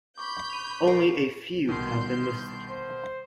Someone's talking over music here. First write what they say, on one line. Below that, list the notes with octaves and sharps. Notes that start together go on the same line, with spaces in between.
Only a few have been listed.
B5 C#6 D6 G6
D#7 F7
A#4 C7
C2 B2 D#3 C6 G6
C5